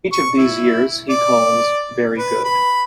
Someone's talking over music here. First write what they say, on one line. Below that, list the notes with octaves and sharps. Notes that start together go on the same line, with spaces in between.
Each of these years he calls "very good".
C#6
E4
D5
B4
B5